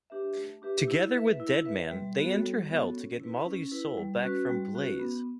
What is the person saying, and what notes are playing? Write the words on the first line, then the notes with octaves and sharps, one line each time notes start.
Together with Deadman, they enter Hell to get Molly's soul back from Blaze.
D4 G4 B4 E5
A3
D4 G4 B4 E5
E4
B4 E5
E4
B4 E5
G3
B3 F#4 A4 C#5
G3
B3 F#4 A4 C#5
C#4
E4 B4
C#4
E4 B4
G3
C#4 F#4 B4
G3
C#4 F#4 B4
B3